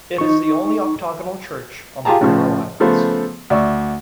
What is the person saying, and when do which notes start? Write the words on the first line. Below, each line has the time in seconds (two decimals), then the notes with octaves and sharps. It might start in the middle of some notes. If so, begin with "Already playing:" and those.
It is the only octagonal church on the Faroe Islands.
0.18 D#4 C#6
2.05 F4 G4 G#4 A5 A#5
2.21 A2 C#3 F3
2.80 C#3 F3 A3 B3 C5
3.50 D2 D5 E5 C#6